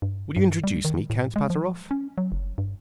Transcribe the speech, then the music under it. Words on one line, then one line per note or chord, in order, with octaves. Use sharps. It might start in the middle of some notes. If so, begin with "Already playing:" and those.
"Will you introduce me, Count Pateroff?"
G2
G2
G3
D#3
A2
G#3
F3
C#4
F#3
F#1
G2